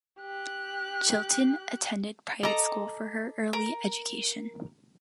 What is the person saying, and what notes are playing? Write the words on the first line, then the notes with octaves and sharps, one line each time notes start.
Chilton attended private school for her early education.
G4 F#6
A4 D#5 A#5 D6
A#4